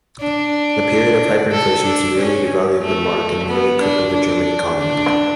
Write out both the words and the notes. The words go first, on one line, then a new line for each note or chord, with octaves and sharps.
A period of hyperinflation severely devalued the Mark and nearly crippled the German economy.
D4
A4
D4
C#4
A3
B3
D4
D4
D4